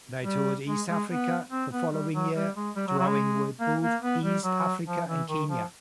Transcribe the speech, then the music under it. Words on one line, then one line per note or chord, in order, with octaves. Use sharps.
They toured East Africa the following year, drawing with both East Africa and Kenya.
G3
G#3
G#3
B3
C4
B3
G3
F#3
G3
G#3
G3
F#3
F#3
G#3
A#3
A#3
B3
G3
F#3
F3
E3
D#3
F3